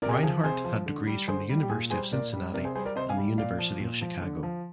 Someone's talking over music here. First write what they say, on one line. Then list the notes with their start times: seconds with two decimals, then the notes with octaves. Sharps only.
Reinhardt had degrees from the University of Cincinnati and the University of Chicago.
0.02 C3 A#4 D5
0.09 G#4
0.12 G4 A#4
0.23 F3 G#4
0.44 C3 G#4 C5
0.65 F3
0.86 D3
1.07 G3
1.28 D3 G#4 C5
1.49 G3
1.63 G4
1.70 A#2 G#4
1.90 G3 G#4 C5
2.11 A#2 A#4 D5
2.33 G3
2.54 C3 A#4 D5
2.65 G#4 C5
2.75 G3 G#4 C5
2.85 A#4 D5
2.95 C3 C5 D#5
3.09 F5 G#5
3.17 G3
3.38 A#2 D5 F5
3.59 F3
3.80 A#2
4.01 F3
4.22 D3
4.43 F3